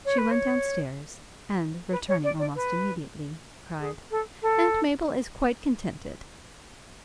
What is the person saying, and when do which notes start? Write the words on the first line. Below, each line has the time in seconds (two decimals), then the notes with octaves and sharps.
She went down stairs, and, returning almost immediately, cried, 'Aunt Maple is quite contented.
0.05 C#5
0.18 B4
0.31 C#5
1.92 B4
2.09 C#5
2.24 D5
2.39 D5
2.55 B4
3.80 G#4
4.11 A4
4.42 A4